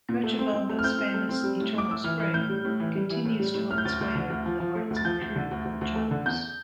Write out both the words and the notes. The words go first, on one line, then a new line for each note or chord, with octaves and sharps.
Cochabamba's famous "Eternal Spring" continues to hold sway over the hearts of true Cochalos.
A#2
A3
C4
C4
A3
F6
C4 G6
C4
A3
C4
G3
A2
A2 D6
A2 E6
E3 F6
E3
A2 G6
G3
A2
E3
G3
E3
A2
G3
A2
A2 F6
G6
D2 A6
D2
D3
D2
F3
F3
A3
D2
A6
F3 G6
D2
D3
D2
D2
D2
A3
D3
E2 G6